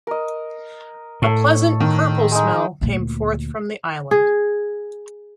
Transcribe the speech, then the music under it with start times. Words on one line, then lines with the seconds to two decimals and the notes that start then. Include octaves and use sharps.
A pleasant "purple" smell came forth from the island.
0.07 A#4 D#5
1.22 A2 A4 C#5
1.80 D#3
2.31 G#3 D#4
2.81 D2 A#2
4.11 G#4